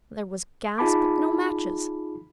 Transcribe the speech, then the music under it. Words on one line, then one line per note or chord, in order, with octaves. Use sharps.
There was gas, but no matches.
D#4 F4 G#4 A5 B5 D6